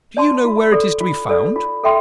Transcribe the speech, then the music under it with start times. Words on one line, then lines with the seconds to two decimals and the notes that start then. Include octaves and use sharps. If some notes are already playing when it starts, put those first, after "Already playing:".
'Do you know where it is to be found?'
0.17 D5 A5 C6
0.45 F4
0.72 A4 D5
1.01 F4
1.29 A4 D5
1.56 F4
1.84 A4 E5 G5 C6